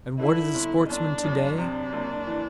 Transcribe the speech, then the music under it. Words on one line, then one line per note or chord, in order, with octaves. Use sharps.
And what is a sportsman to-day?
D3 E4
G1
G1 D4
F#2
C3 D4
F#1
E3